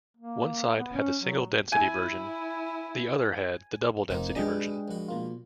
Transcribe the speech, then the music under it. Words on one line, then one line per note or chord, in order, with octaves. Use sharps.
One side had the single-density version, the other had the double-density version.
A#3
B3
C#4
F#3
E4 G#5
F1 D#3 A#3 C4 D#4
B2 G#3 D4 G4 G#4 D#5 G5
A#1 F#4
B2 A#3 F4